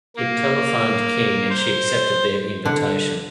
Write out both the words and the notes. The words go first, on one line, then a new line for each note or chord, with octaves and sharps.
It telephoned King and she accepted their invitation.
A#3
C5
D3